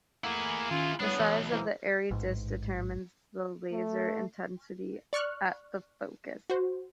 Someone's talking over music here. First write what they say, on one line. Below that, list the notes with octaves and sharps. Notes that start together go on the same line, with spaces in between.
The size of the Airy disk determines the laser intensity at the focus.
A3 A#3 E4 G#4 F5 F#5
D#3 C#4 F4
G3 A3 B3 D4 E4 G#4 C#5
B1 E3
E3 A#3 C5
A1 G#2
A3
D5 C#6 F6 F#6
F#4 C5